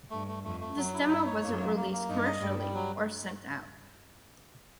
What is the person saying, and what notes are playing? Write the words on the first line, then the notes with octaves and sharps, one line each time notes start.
This demo wasn't released commercially or sent out.
G2 A3
A3
F2 A3
A3
F#2 F#3
E4
G2 D#4
C#5
F#2 A#3
A#3
A#3
A#3
G2 D#4
D#5
G2 G3
G3
F#3